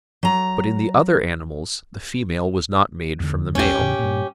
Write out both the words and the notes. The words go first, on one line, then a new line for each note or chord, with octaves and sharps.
But in the other animals the female was not made from the male.
F#3 A#5
E2 D3
B1 E2 C#4 G4
E2 A2 C#3
G2 A#2